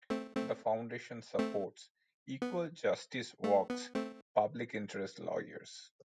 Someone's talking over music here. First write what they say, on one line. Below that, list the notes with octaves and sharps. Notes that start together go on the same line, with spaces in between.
The Foundation supports Equal Justice Works public interest lawyers.
A3 C4
A3 C4
A3 C4
B3
A3
B3
A3 C4